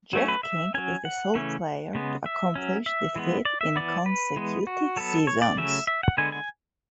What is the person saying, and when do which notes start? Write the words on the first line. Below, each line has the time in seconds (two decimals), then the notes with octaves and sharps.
Jeff King is the sole player to accomplish the feat in consecutive seasons.
0.13 F#3 A3 C#4
0.28 B4
0.43 E5
0.74 F#3 C#4 G#5
1.05 F#5
1.35 C#3 E3 A3 C#4
1.95 C#3 G#3 B3
2.26 E5
2.55 F#3 C#4
2.86 E5
3.16 E3 G#3 B3
3.45 D5
3.61 E5
3.76 E3 B3 D5
4.06 B4
4.36 E3 G#3 B3
4.67 F#4
4.96 F#3 B3 A4
5.27 C#5
5.42 D5
5.57 C#3 F#3 A3 C#4 E5
5.87 E5
6.03 F#5
6.17 D3 G#3 B3 G#5
6.32 G#5